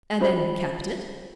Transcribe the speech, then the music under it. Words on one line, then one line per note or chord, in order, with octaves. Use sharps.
"And then kept it?"
C#4 F4 C5 E5 B5